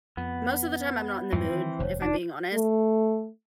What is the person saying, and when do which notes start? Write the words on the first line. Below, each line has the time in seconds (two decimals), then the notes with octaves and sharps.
most of the time I'm not in the mood, if I'm being honest.
0.17 F2 B3
1.33 F2 G#2 E3 G3 C4
1.52 D#3
1.79 F1 D#2 C5 C#5
2.02 D4 D#4 D5
2.53 A3